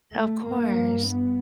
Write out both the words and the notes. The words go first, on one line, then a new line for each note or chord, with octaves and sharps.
Of course.
A3
G2 A#3
B3